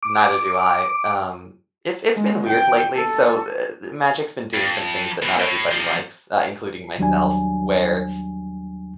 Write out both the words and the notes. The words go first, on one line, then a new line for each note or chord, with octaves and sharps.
neither do I. Um it's it's been weird lately. So, uh uh, Magic's been doing some things that not everybody likes, uh, including myself, where
D6
G#3
G5
A4
F2
B2 E3
A2
C3 F3
D#2 F#3 G3 D4 G#5